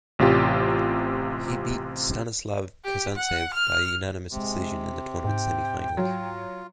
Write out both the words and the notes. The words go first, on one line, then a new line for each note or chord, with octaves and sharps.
He beat Stanislav Kazantsev by unanimous decision in the tournament semifinals.
A1 C3 F4 G4
G4
F#5
F6
C3 G#3
G#2 G5
F#3 F4